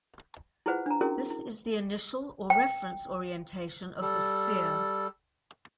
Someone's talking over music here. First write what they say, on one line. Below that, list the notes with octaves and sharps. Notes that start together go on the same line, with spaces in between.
This is the initial or reference orientation of the sphere.
E4 F4 G#4 B4 C5 F#5
D4 A#5
C#4 E4 F#4 G#4 A#4
E4
G5
G3 A4